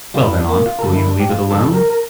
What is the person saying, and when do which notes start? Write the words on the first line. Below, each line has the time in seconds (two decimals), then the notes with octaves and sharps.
"Well then, aunt, will you leave it alone?"
0.14 G2 E3 G3 F4
0.26 E4
0.31 D4
0.49 A#3
0.66 F4
0.79 A#4
0.82 F2 D3 G3 A#3 A4
0.95 E4
1.05 D4
1.20 G4
1.29 F4
1.51 F2 C#3 G3 A4
1.74 A#4
1.90 A#4